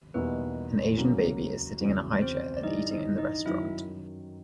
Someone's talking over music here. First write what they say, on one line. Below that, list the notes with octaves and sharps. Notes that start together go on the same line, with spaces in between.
An Asian baby is sitting in a highchair and eating in the restaurant.
E2 B2 G3 A#3 B3 D#4 B4
D#2 C#3 F#3 A#3 C#4
E2 C#3 F#3
C4 C5
D5
G2 E3 G3 D#4 D#5
D#4 D#5
D#4 D#5
F#2 D#3 F#3 E4 E5